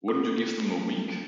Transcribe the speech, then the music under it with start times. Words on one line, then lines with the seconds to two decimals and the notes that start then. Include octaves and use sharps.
Wouldn't you give them a week?
0.08 A4